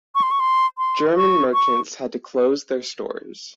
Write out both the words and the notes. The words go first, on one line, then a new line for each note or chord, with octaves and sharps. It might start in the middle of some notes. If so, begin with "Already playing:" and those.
German merchants had to close their stores.
C#6
C6
C#6
C6
C6
C#6
C#6